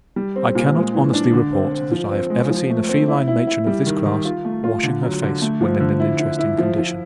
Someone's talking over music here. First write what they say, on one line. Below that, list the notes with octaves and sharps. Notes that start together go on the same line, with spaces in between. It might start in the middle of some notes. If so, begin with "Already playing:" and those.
I cannot honestly report that I have ever seen a feline matron of this class washing her face when in an interesting condition.
G3
C4
A#2
G#3
E3
D4
D3
C4
C4
F3
C4
G#3
F3
A3
C4
E4
E4
E4
G3
D#3
D#3
F4
A3
F4
D3
F#3
D3
A3
F3
D3
E4
E4
E4
F3
F3